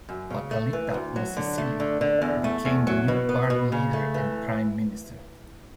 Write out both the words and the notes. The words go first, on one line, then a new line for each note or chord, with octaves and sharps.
Pakalitha Mosisili became the new party leader and prime minister.
F#2
C#3
A3
E3
D2
F#3
D3
A3
D3
D3
E2
A3
E2
F#3
B2
B3
B2
C#3
A3
E3